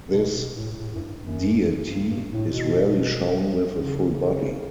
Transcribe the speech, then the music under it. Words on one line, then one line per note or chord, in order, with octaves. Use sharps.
This deity is rarely shown with a full body.
B2
B2
A2
A2
F#2
G2
F#2
G2
G2
A2
B2
C#3